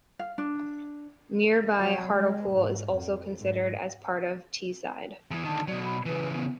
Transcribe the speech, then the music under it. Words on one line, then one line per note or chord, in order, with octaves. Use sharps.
Nearby Hartlepool is also sometimes considered as part of Teesside.
F5
D4
F#3
G#3
G#2
F2
G#2
E2 E3
D3 D#3 A5
B2 F#3 D5
B5
C#3 E3 B4
B3